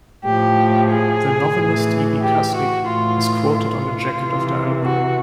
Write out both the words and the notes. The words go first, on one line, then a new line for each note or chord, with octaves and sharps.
The novelist Ibi Kaslik is quoted on the jacket of the album.
A2 F3 G4
G#4
A2 E3
G4
F#4
A2 E3 F4
F4
C3 E3
F#4